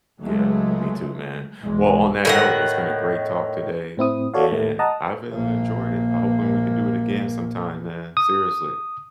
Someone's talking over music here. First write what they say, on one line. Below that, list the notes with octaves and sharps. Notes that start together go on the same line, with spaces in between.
Yeah. Me too, man. Well, on that note, it's been a great talk today, and I've really enjoyed it. I'm hoping we can do it again sometime, man. Seriously.
C#2 F#3 G#3 A3
B1 E2 G#3
A2 D#3 F#5
A2 C4 E4 D#6
F#4 A4 C#5 D5 F5
A2 A3
D#5 F#5 A5 A#5 D#6
A#1 A#3
D#6